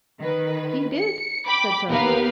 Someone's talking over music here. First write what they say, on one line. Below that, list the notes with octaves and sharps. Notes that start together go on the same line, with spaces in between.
"He did," said Sophy.
D#3 B4
C#7
G5 B5 D6
D#2 B3 G4 A#4 B4 F5